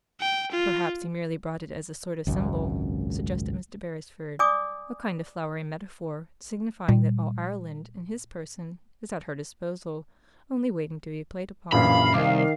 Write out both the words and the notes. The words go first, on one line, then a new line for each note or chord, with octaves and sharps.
"Perhaps he merely brought it as a sort of symbol," suggested Mr. Beresford; "a kind of flowery metaphor signifying that all Ireland, in his person, is at her disposal, only waiting to be played upon."
G5
F4
G#1 C#2 F#2
D5 G#5 D6 D#6
A#2 G3
A#1 F#2 E3 F5 B5
C2 D#3 D6